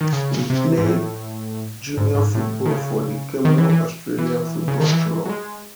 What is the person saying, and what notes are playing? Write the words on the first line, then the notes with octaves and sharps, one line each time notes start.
He played junior football for the Kenmore Australian Football Club.
D#3
C#3
C3
G#2
A2
G#2
G#2
A2
D#3
C#3
D#3
E3
E3
E3
C#3
D#3
E3
F#3
G#3